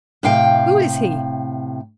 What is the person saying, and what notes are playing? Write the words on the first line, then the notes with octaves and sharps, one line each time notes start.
Who is he?'
A2 C3 F5 G5